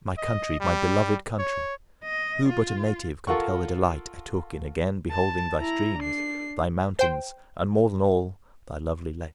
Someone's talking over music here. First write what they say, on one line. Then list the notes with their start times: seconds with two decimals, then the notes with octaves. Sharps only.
My country, my beloved country! who but a native can tell the delight I took in again beholding thy streams, thy mountains, and, more than all, thy lovely lake!
0.18 D#5
0.60 G3
1.39 C#5
2.04 D#5
2.49 F4
3.27 F4 A4 A#4 F#5 C#6
5.11 A5
5.59 E4 A#5
5.98 D4 C7
6.99 C5 G5